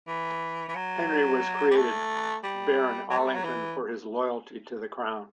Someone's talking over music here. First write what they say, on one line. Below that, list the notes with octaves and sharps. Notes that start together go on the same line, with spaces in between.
Henry was created Baron Arlington for his loyalty to the crown.
E3
E3
F#3
G3
A3
G3
F#3
A3
G3
F#3
E3